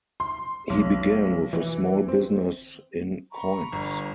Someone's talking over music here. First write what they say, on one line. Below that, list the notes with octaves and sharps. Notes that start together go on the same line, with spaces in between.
He began with a small business in coins.
C6
B1
E3
C4
A#5 B5 C#6
G1